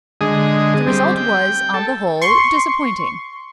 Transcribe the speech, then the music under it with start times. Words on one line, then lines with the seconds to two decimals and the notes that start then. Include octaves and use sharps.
The result was, on the whole, disappointing.
0.21 D3 G#3 G#4 D#5
0.87 G3 C4
1.17 G5
1.74 A4
2.22 C6 C#6